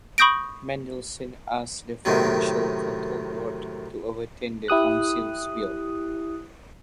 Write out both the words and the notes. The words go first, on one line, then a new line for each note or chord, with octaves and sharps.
Mendelson asked the Financial Control Board to overturn the Council's bill.
B5 C#6 D#6 G6 A#6 D7
F#2 A2 C3 D#3
E4 G4 D#6 F#6